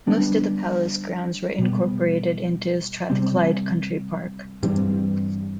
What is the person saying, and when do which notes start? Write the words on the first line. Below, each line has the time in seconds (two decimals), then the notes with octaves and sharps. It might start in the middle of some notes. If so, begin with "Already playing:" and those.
Most of the palace grounds were incorporated into Strathclyde Country Park.
0.07 D3 G3 B3 D4
1.58 B2 G3 B3
3.10 C3 G3 C4
4.62 G2 E3 G3 C4